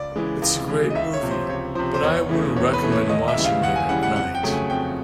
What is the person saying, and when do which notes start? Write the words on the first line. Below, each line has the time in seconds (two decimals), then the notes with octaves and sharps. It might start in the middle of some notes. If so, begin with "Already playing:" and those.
It's a great movie, but I wouldn't recommend watching it at night.
Already playing: C#2 D5
0.16 C#3 E3 G#3
0.42 C#2
0.68 C#3 E3 G#3
0.90 D#5
0.95 C#2 E5
1.13 C#5
1.22 C3 F3
1.31 C5
1.49 C#2 C#5
1.75 C3 F3 C5
1.94 C5
2.03 E2 C#5
2.29 C#3 E3 A3
2.56 E2 C#5
2.73 B4
2.83 C#3 E3 A3
2.92 C#5
3.09 D#2 D#5
3.28 E5
3.36 C#3 E3 G3
3.44 F5
3.62 D#2 F#5
3.76 G#5
3.89 C#3 E3 G3 F#5
4.03 F#5
4.16 F2 F#5
4.35 G5
4.43 C#3 F#3 A3
4.52 G#5
4.70 F2 G5